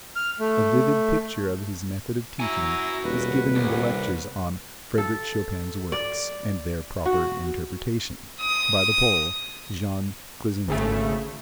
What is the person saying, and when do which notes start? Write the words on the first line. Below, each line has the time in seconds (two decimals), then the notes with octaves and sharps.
A vivid picture of his method of teaching is given in the lectures on "Frederic Chopin's Works and Their Proper Interpretation," by the Pole, Jean Kleczynski.
0.16 F6
0.40 A3
2.40 E4 F#4 G#5 A#5
3.04 D#1 B4
3.55 C2
4.98 A4
5.92 D5
7.05 F#4
8.41 D#6
10.68 G#1 C#3 A3